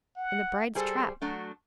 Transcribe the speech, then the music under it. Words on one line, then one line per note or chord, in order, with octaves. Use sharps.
"In the bride's trap."
F#5
G3 G#4 A4 C5
F#3 A3 D4 F#4